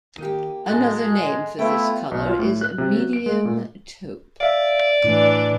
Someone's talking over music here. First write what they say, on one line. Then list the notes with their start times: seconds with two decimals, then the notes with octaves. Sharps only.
Another name for this color is medium taupe.
0.18 D#3 A#3 D#4 G4
0.66 A2 F#3 G#3 A4 F#5
1.59 A3 B3 E4 F4 G5
2.11 B1
2.27 F4
2.39 A2
2.61 F#6
2.78 C3
2.97 F#3
3.13 D7
3.26 G#3
3.45 A#2
4.41 D5 E5 F5
5.04 A2 E3 D4